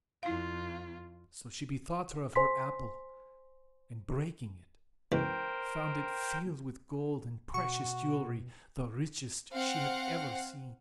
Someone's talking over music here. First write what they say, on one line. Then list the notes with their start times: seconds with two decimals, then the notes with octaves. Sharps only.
So she bethought her of her apple, and breaking it, found it filled with gold and precious jewelry, the richest she had ever seen.
0.23 F2 E4 F4 F5
2.36 C5 G#5 C6 B6
5.12 C#2 B2 E3 A#4 C5 G5
7.54 B2 F#4 C#6
9.52 C4 F5 F#5